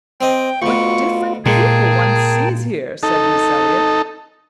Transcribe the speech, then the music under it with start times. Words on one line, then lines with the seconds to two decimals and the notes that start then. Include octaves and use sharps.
"What different people one sees here!" said Miss Eliot.
0.21 C4 D#5 G5
0.62 D2 B2 F4 C#6
1.46 A#2 G#3 G#4 A#4 G5 A5
3.03 D#4 A4